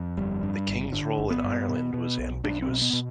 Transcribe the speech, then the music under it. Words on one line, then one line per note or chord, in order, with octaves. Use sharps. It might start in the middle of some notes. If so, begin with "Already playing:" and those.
The King's role in Ireland was ambiguous.
Already playing: F2
G1 G3
G2
G1
D3
G1
B3
G2
B2
B2
B1
B1 D4
C4
B2
B3
B2